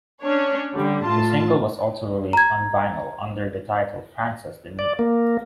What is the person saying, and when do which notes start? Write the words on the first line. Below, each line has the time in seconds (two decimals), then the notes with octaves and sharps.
The single was also released on vinyl under the title "Frances the Mute".
0.22 C#4 D4 C#5
0.75 D3 G3
1.04 A2 F4 A5
2.33 A#5 G#6
4.79 D5
4.99 A#3